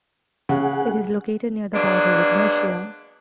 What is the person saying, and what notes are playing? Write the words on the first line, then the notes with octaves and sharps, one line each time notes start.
It is located near the border with Russia.
C#3 G#4 F#5
F#3 G#3 A#3 B3 D4